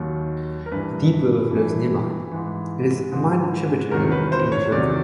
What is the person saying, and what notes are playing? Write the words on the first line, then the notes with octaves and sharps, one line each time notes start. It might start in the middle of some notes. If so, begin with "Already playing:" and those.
The Deep River flows nearby; it is a minor tributary of the English River.
Already playing: D#2 D#3 F#3
A#4
G2 E3 B4
G2 E3
G#2 E3
G#2 E3
E2 C3 D#3 F#3 A#4
B4
C5
C#5
E2 C3 D#3 F#3 D5